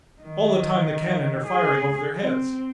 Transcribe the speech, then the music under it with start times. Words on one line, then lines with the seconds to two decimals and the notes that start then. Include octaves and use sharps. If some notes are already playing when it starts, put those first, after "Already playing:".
All the time the cannon are firing over their heads.
0.21 D#3
1.47 G#4
2.21 C4